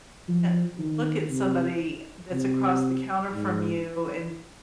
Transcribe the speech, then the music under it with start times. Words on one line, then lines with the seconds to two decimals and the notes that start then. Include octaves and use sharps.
can't look at somebody that's across the counter from you, and
0.29 F3
0.79 D#3
1.30 C3
2.32 C3
3.34 G#2